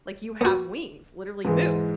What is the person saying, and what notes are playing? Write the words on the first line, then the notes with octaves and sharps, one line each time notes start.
Like, "You have wings, literally move."
B3 F#4
G#2 E3 G#3